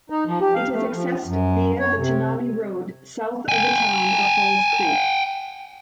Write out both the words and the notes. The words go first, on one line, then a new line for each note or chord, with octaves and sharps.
It is accessed via the Tanami Road south of the town of Halls Creek.
D#4
F3
G4
F5
A3
F3
F#2
C#5
C3
G5 G#5